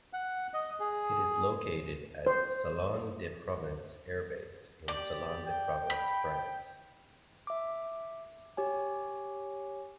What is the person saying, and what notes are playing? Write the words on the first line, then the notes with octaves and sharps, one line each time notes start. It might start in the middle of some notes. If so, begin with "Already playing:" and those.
It is located at Salon-de-Provence Air Base in Salon-de-Provence, France.
F#5
D#5
G#4
C5
G4 D5
G5
B5
E5 D6
G4 C#5 G#5